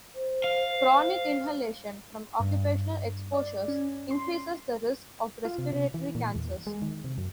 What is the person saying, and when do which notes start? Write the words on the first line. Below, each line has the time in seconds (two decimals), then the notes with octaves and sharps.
Chronic inhalation from occupational exposures increases the risk of respiratory cancers.
0.15 C5
0.44 F5
2.40 G2
3.34 D5
3.68 C#4
4.11 C6
5.45 F4
5.58 C3
5.73 C3
5.94 E3
6.15 A#2
6.36 E2
6.67 G#3
6.82 D#3
7.04 C3
7.18 F#2